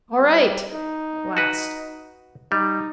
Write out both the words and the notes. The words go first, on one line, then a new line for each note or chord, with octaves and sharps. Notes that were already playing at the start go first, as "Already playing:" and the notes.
"All right!" at last.
G3
D#4
F#4 B4
G3 D#4